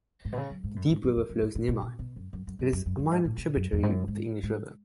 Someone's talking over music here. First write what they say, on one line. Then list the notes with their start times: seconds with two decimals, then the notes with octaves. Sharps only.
The Deep River flows nearby; it is a minor tributary of the English River.
0.25 G#2
0.32 B2
0.37 C#3
0.50 F#3
0.64 G#2
0.76 F#2
0.89 G#2
1.03 F#2
1.16 E2
1.29 F#2
1.42 G#2
1.55 A2
1.68 B2
1.81 B2
1.99 B2
2.16 F#2
2.33 F#2
2.47 F#2
2.59 F#2
2.72 F#2
2.86 F#2
2.99 F#2
3.11 G#2
3.25 A2
3.38 B2
3.56 F#2
3.72 E2
3.83 G#2
3.90 F#2
4.08 G#2
4.43 G#2